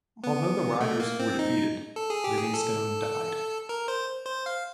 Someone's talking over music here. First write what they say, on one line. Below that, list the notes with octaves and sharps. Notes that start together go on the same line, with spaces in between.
Although the Riders were defeated, Livingstone died.
B3
A3
A#3
C4
D#4
A4
G#4
G4
G#4
A4
A#4
C5
C5
F5